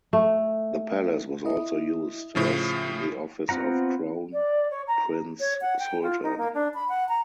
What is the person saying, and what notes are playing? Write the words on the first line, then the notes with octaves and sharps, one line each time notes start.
The palace was also used as the office of Crown Prince Sultan.
A3
E4 D#5
A2 C#3 F3
B3 C4 F4 F#5 A#5
D5
C#5
A#5
C#5
F#5
G5
F4
D#4
A#3
D4
B5
F#5
A#5